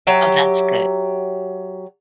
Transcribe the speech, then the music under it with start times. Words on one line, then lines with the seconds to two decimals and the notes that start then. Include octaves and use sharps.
Oh, that's good.
0.07 F#3 G4 E5